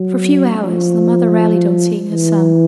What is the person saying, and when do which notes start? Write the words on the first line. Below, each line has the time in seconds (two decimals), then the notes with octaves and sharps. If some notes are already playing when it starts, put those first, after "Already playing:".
For a few hours, the mother rallied on seeing her son.
Already playing: F#3
0.61 F3
2.09 E3